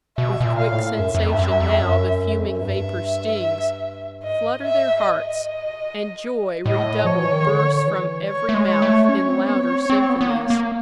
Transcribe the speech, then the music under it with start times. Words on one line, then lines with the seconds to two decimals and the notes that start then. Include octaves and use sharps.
With quick sensation now The fuming vapour stings; flutter their hearts, And joy redoubled bursts from every mouth In louder symphonies.
0.18 B2 E5
0.41 B2
0.45 A#2
0.59 F5
0.72 A2
0.99 F#2 E5
1.15 F#2
1.19 F2
1.34 G2
1.39 F#2
1.60 F2
1.80 F#2
2.39 F2
2.50 F#2
2.61 G2 E5
4.22 G#2 D#5
4.64 E5
5.04 D#5
5.66 B2
5.75 A#2
5.85 A2
6.59 G#2
6.66 A2 D#5
7.05 F3 C#5
7.19 E3
7.32 D#3
7.46 D3
7.87 E3
8.28 C#5
8.49 A3
8.54 G#3
8.68 C#5
8.82 A3
9.09 C#4 C#5
9.28 C4
9.48 B3
9.69 C4
9.90 C4
10.10 B3
10.21 B3
10.30 A#3
10.50 A#3